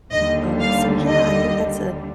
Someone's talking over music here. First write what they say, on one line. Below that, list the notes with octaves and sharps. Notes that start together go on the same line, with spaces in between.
Um, so yeah, I think that's a
D#2 D3 G3 D#5
F5
D#5